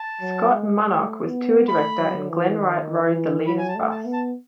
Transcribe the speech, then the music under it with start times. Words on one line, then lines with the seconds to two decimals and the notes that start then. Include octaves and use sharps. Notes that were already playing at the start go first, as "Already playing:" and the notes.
Scott Munnoch was tour director and Glen Wright rode the leader's bus.
Already playing: A5
0.21 F#3
0.51 G#3
0.80 A3
1.25 B3
1.69 A3 B5
1.99 F#3
2.29 E3
2.58 D#3
3.02 E3
3.47 F#3 B5
3.59 G#5
3.68 A5
3.76 A3
3.91 A5
4.05 B3
4.13 A5